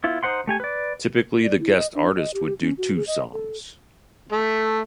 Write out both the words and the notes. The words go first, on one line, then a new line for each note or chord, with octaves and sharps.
Typically the guest artist would do two songs.
B3 E4 F4
D#4 C5 F#5 C6
A3 G4 G#5
B4 D5
D5
E4
D#5
D4
D#5
G4
C#4
F#4
G#4
D#5
A4
A3